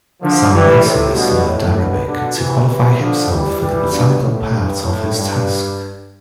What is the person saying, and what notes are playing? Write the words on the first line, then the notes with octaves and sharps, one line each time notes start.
Salmasius learned Arabic to qualify himself for the botanical part of his task.
D3 F3
E3 G3
A2 C3
G2 B2
A2
G2 B2
B2 D3
C3 E3
C3 E3
D3 F3
E3 G3
E3 G3
G2 B2
A2
G2
A2
G2